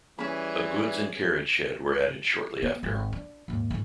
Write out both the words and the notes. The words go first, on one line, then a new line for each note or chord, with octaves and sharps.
A goods and carriage shed were added shortly after.
E3 G3 C#4 G#4 B5
B3
G#1
D4
D#2 G#2
G#2 D#3